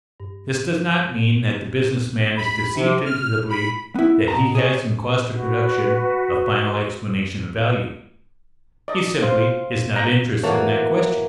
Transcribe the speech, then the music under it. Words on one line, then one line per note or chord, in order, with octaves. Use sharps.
This does not mean that the business man is deceived into the belief that he has in cost of production a final explanation of value. He simply is not interested in that question.
G2
B5
C3
F6
B5
B3 E4
B2 A5 A#5
G#4 C#5
F#4 B4
D5 D#5
F4 C5
A#5
E3 A#3 F#4 C#5 A5